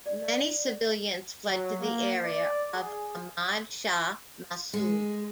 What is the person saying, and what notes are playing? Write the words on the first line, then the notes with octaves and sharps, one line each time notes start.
Many civilians fled to the area of Ahmad Shah Massoud.
D5
F#3
A#3
D5
G#4
G#3